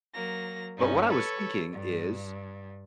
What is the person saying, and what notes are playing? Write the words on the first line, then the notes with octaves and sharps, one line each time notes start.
but what I was thinking is,
F#3 A#3 A#6
G2 C#4 D#4
A4 B4 C#5
G2